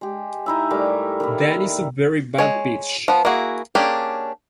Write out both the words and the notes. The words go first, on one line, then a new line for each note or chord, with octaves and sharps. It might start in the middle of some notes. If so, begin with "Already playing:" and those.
That is a very bad pitch.
G#3 G4
D#4 E4 E5
A2 G3 A#4 D6
D#3 A#3 E4
G#3 C#5
F3 B3
A#3 E4 F#4 G#4
A#3 C#4 D4 G4 G#4